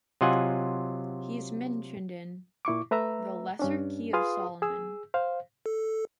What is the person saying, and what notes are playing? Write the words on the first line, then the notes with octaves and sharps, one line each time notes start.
He is mentioned in "The Lesser Key of Solomon".
C3 F#3 F4 D#5 F#5 G#5
A#2 E4 C#6 D6
A3 B4 E5 A#5 E6
G2 C#4 D4
F4 G#4 B4 F5 C6 D#6
G#4 E6
C5 F5
A4